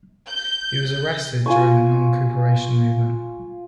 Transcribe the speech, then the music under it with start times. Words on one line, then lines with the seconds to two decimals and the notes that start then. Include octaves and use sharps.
He was arrested during the Non-Cooperation Movement.
0.28 G6
1.46 F4 G#5 C#6